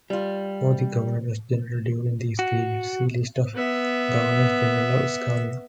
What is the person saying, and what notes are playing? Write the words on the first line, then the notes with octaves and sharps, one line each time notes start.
For the Governors-General during these periods, see List of Governors-General of Scania.
G3 F4
F#4
B3 E5